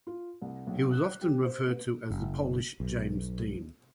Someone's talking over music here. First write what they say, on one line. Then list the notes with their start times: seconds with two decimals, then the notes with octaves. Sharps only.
He was often referred to as "the Polish James Dean".
0.07 F4
0.42 C2
0.67 B1
0.91 F#6
1.21 G4
1.45 C5
1.70 B3
2.10 F#1
2.80 B1